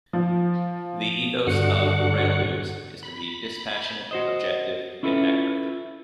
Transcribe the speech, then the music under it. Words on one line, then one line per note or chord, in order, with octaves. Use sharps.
The ethos of "Railnews" is to be "dispassionate, objective and accurate".
F3
G2 D3 F#4 F#5
B5
F#4 C5 D#5
C#4 E4 F4 A4 B4